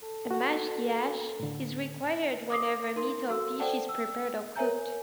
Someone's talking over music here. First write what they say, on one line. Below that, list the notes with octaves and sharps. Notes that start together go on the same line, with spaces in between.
A mashgiach is required whenever meat or fish is prepared or cooked.
A4
F#4 F#5
A2 D3
D6 D#6 C7
D#4 A#4 C6
F#4 A4 E6
A4 C5 D5 F#5 G5 A5
E6
A#4 C#5 E5 G#5 A#5 G6